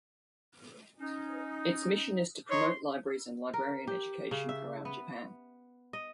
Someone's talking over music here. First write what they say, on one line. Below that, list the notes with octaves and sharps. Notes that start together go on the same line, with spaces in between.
Its mission is to promote libraries and librarian education throughout Japan.
C#4 D#4
D#4 C#5 C6
A#4
G4
C#3
E5
B3
D#5